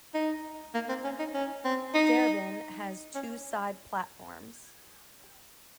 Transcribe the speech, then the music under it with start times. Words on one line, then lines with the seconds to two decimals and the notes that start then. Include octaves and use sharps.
Darebin has two side platforms.
0.14 D#4
0.74 A#3
0.89 C4
1.04 C#4
1.19 D#4
1.34 C#4
1.65 C4
1.94 D#4
3.15 C#4